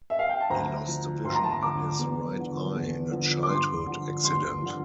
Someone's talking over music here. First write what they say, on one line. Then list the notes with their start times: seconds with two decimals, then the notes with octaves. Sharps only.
He lost the vision in his right eye in a childhood accident.
0.10 E5
0.19 F5
0.29 G5
0.40 A5
0.50 D2 A#5
0.87 D3 F3
1.24 D2 C6
1.35 A#5
1.44 A5
1.52 A#5
1.62 D3 F3 D6
1.99 E2
2.37 D3 F3
2.75 E2
3.11 D3 F3
3.43 D6
3.49 G2 C6
3.87 D3 F3
4.25 G2 C6
4.62 D3 F3